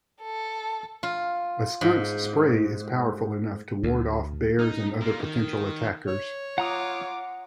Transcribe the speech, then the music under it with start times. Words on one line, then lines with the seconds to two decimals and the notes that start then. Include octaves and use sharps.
A skunk's spray is powerful enough to ward off bears and other potential attackers.
0.22 A4
1.03 F4
1.81 G#2
3.83 D2
4.59 D#4
5.01 A#3 F4
5.20 D#3
6.07 C#5
6.58 F4 F#5 A#5 D6 D#6